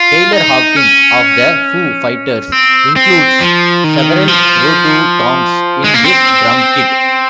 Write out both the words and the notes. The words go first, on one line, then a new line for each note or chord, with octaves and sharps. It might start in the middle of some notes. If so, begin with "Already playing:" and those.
Taylor Hawkins of the Foo Fighters includes several rototoms in his drum kit.
Already playing: F4
D#4
C#4
C4
C4
F3
D#3
F3
G#3
A#3
C4